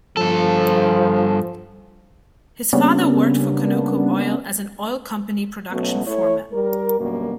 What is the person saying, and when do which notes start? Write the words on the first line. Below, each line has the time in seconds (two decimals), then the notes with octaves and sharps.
His father worked for Conoco Oil as an oil company production foreman.
0.17 G2 F3 A4
2.73 C#3 G3 A#3 B3 C#4 D4
5.71 B2 F#3 A3 B3 C#4
6.06 A3 E4 C#5
6.53 G3 A#4
6.99 F#2 B2 D3 G3 A#3